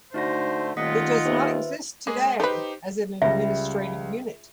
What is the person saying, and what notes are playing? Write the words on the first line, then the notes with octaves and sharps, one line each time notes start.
It does not exist today as an administrative unit.
D3 A3 D#4 F#4 C5 A#6
D#1 D#3 A3 F4 D#5 F#5 D#6 B6
D#2 B4 C5 E5
G#3 A#3 G#4
D#4 G4 A4 B4 C5
C#2 G3 E5